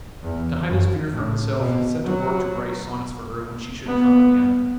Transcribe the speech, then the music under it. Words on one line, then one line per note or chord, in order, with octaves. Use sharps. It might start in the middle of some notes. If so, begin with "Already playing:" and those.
To hide his fear from himself, he set to work to write sonnets for her when she should come again....
E2
F#2
A2
B2
F#3
B3